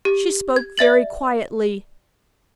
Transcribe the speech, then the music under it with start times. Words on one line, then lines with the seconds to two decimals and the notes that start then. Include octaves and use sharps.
She spoke very quietly.
0.05 G4
0.56 G#6
0.78 D5 E5 A6 F#7